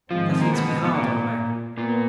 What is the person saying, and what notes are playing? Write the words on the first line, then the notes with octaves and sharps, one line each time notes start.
That hits me hard, old man.
G#2 D#3 F3 G#3 C4 F4
A#3
B2 B3
B3
A#2 A#3
A#2 A#3 B3